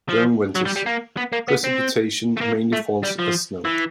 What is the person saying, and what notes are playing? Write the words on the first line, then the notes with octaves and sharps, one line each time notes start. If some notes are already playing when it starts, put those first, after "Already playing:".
During winters, precipitation mainly falls as snow.
F3
F#3
G3
G3
A#3
B3
A#3
B3
C4
A3
A#3
A3
G3
F3
E3